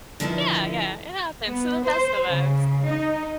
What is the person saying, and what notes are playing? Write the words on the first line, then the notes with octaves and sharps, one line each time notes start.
Yeah, yeah, it happens to the best of us.
D3 D#3 F3 E4 A4 B4
B3
C5
C#3
D#4